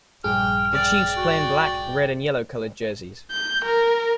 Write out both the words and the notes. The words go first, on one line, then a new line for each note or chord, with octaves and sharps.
The Chiefs play in black, red and yellow coloured jerseys.
A#1 G2 G#4 G5 F6
D5 G5
F#4
G6
A#4